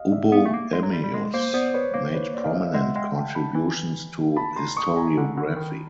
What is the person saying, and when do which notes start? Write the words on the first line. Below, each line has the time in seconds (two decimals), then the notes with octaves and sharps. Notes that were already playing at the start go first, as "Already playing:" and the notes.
Ubbo Emmius made prominent contributions to historiography.
Already playing: D#5 F5
0.12 D5 E5
0.32 B3
0.45 A3
0.54 A#3
0.73 G#3
0.83 F#3
0.93 G3
1.04 G3
1.14 G#3
1.34 A#3 C5
1.54 B3 C5 D5
1.74 B4 C#5
1.94 A#3 C5
2.14 B4 C#5
2.34 C5 D5
2.44 D#5 F5
2.55 D5 E5
2.65 D#5 F5
2.74 G#3 E5 F#5
2.95 G#3 F5 G5
3.15 G5 A5
3.35 A5 B5
3.55 E3
4.36 A5 B5
4.56 A#5 C6
4.77 C#6 D#6
4.96 G#5 A#5
5.17 D3
5.37 D3
5.57 D#3